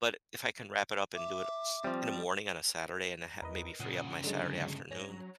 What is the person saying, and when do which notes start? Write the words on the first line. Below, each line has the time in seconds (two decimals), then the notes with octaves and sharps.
but if I can wrap it up and do it s in the morning on a Saturday and I ha maybe free up my Saturday afternoon,
1.15 E5 D6
1.84 F3 G3 C4
3.42 E2 A#4 B4 D#5
3.80 G2 A#2 C#3 F#5
4.24 D3 F#3 G#3
4.91 G#2 C#4 G#5 A#5
5.09 F#3